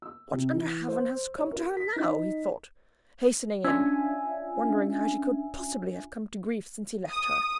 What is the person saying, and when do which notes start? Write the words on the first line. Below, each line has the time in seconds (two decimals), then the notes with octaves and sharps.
"What under heaven has come to her now?" he thought, hastening in, wondering how she could possibly have come to grief since he left her.
0.02 E6
0.32 C3
0.53 E3
0.88 C5
1.38 C#5
1.52 A#4
1.77 B6
1.96 D#4
3.64 C#4 D4 F4 E5 G#5
7.10 D#6